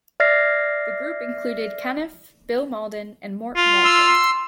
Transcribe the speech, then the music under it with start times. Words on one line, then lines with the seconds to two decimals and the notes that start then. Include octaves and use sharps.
The group included Caniff, Bill Mauldin and Mort Walker.
0.20 D5 E5 F6 A6 A#6 C7
3.56 F4
3.85 C6 E6